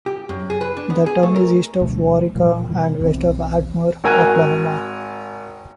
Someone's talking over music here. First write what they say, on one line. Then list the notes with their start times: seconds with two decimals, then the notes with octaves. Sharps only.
The town is east of Waurika and west of Ardmore, Oklahoma.
0.06 G4
0.29 F#2
0.50 G#4
0.61 B4
0.77 D4
0.90 B3
1.06 G#4
1.23 A3
1.36 A#4
1.81 D2 B2 F#3 A3
2.35 E1 A#2 F3 G3
2.69 B2 D#3 E3 G3
3.03 E1 B1 E3 C4
4.04 G#1 F#4 A#4 G#5 A#5 F#6